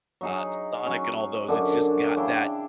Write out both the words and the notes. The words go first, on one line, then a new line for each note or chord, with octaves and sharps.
uh, Sonic and all those, it's just got that
F#3 D#4 G#4
F#3 C#4
F#2 D3
C#3 D4 E4 G5